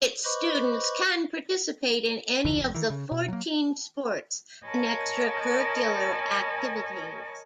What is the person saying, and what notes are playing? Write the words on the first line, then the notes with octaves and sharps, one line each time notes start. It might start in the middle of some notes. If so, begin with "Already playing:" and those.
Its students can participate in any of fourteen sports and extracurricular activities.
B4 C5 D#5 B5 C#6 D6
F1 D2 C#3 E3
F1 F2
D#3 E3
C#3
B2
F#3 A#3
A#4 C#5 D#5 G#5 A5 B5